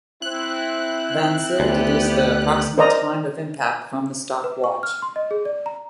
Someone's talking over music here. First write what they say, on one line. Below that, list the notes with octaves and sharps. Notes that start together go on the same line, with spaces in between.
Van Zyl deduced the approximate time of impact from the stopped watch.
C4 E4 F#6
D2 B3 G4
A#4 C5 D5 D#5 A#5
B4
C#6
F6
C6
D#5
G#4
D5
A#5